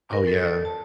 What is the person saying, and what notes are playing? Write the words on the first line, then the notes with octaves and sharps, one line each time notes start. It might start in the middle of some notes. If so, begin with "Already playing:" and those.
Oh, yeah.
A#4
A4
A5